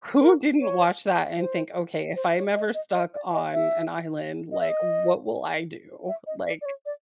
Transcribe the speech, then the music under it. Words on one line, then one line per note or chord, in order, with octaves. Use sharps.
who didn't watch that and think, "Okay, if I'm ever stuck on an island, like, what will I do?" Like
A#4
C#5
C5
C5
C#5
D#5
D#5
D#5
D5
D#5
E5
D#5
E5
D#5
E5
D#5
D5
D5
C#5
D5